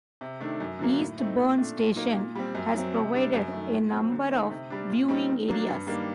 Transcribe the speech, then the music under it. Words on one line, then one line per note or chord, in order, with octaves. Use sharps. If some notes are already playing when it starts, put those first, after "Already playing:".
Eastburn Station has provided a number of viewing areas.
C3
D#3 A3 D4
F#2
D3 F#3 A#3
A2
A3 C4 D#4
A#2
A3 D4
A#2
F#3 A#3 D#4
A#2
G3 C4
F#2
F#3 C4
C3
G3 D4
F#2
D#3 A3
A#2
F#3 C4
D3
A3 D#4
C3
G3 D4
A#2
G3 C4 D#4
D#3
F#3 A#3 D4
G2
D#3 G3 A#3 D4